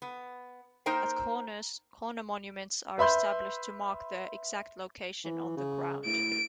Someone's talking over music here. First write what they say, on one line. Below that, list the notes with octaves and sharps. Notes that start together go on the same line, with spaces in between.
At corners, "corner monuments" are established to mark their exact location on the ground.
B3
A#3 D#4 A#4 C5 G5
B4 E5 B5 C6 G6
E3
C#3
A2 D7